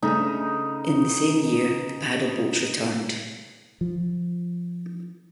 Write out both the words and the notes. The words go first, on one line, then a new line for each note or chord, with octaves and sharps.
In the same year, the paddle boats returned.
C#3 A3 D#4
F3